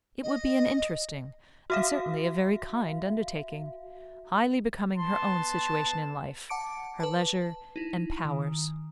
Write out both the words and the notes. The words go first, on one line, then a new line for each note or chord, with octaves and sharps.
It would be an interesting, and certainly a very kind undertaking; highly becoming her own situation in life, her leisure, and powers.
D#5
F#4 E5 F5
B3 A5 C6
F#5 A5 D6 C#7 D7
B4 A5
D#4 E4
D#3